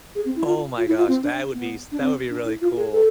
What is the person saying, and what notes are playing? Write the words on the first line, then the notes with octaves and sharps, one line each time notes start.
Oh my gosh. That would be s that would be really cool.
G#4
C4
E4
F4
F4
E4
F4
C4
D4
B3
D4
C4
D4
E4
F4
G#4
A4